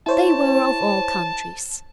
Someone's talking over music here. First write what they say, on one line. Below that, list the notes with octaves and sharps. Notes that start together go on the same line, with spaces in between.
They were of all countries.
E4 C5 C#5 A5